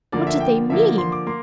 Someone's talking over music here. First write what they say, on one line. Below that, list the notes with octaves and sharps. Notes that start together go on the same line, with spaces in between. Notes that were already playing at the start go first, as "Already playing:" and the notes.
What did they mean?
D3 F3 A#3 D5
E5
G5
D3 F3 A#3 E5
C6
D6
A#3 C6